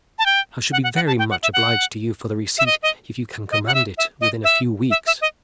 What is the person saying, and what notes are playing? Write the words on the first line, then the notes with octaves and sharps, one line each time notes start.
I should be very much obliged to you for the receipt, if you can command it within a few weeks.'
A5
G5
F#5
F#5
F#5
A5
G5
F#5
E5
F#5
E5
D#5
D#5
D#5
F#5
E5
E5
D#5
E5
E5
E5
D#5